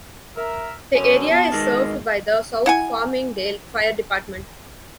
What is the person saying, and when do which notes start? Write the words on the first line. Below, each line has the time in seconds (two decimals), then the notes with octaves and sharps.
The area is served by the South Farmingdale Fire Department.
0.37 A#4 E5
0.95 F#2 B2 D3 C#4
1.31 B2 A5
1.52 D#3 E3 G#3
2.66 E4 F#5 G#5